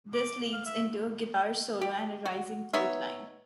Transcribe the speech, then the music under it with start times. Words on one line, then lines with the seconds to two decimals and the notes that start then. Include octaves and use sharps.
This leads into a guitar solo and a rising flute line.
0.13 D6
0.53 F5
0.66 E5
1.81 G4
2.25 F#4
2.73 B3 D#4 C#5 E5